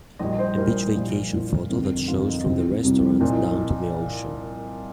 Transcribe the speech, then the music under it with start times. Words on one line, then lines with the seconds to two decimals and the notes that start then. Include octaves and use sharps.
A beach vacation photo that shows from the restaurant down to the ocean.
0.19 A#1 A#2 G3 D#5
0.39 C5
0.57 A#1 A#2 G3 A#4
0.95 A#1 A#2 F3
1.33 A#1 A#2 F3
1.70 G1 F2 C3 D#3
2.08 G1 F2 C3 D#3 F4
2.27 D#4
2.45 C2 C3 G3 C4
2.83 C2 C3 G3
3.20 C2 A#2 F3 D#4